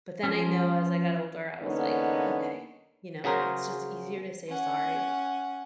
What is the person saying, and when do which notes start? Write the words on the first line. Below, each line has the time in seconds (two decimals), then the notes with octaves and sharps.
But then I know as I got older, I was like, "Okay, you know, it's just easier to say sorry."
0.24 F3 C#4
1.62 E2 D3 A#3 B3 C#4 D#4
3.24 C#3 F#3 G#4 A#4 C5
4.48 C#4 F#5